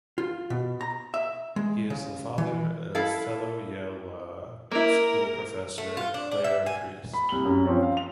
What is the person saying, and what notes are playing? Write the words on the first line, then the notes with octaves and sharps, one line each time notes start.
He is the father of fellow Yale Law School professor Claire Priest.
F4
B2
A#5
E5
G#3
C#3
E3
E4 A4 F5
A#3 E4 A#4
A3
F4
D4
D4
E5
G#5
B5
C2 F#7
F#2
F3 C4 C#4
F5
F7